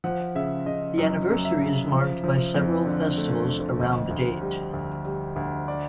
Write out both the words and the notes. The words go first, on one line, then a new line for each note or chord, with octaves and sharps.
The anniversary is marked by several festivals around the date.
F3 F#5
C#3 E5
C#3 D#5
F#2 D#5
F#2
E5
C#3
F3
F3
F2
D3
A3
F2
D2 D#5
D2
G3
D2
G3
D2
D5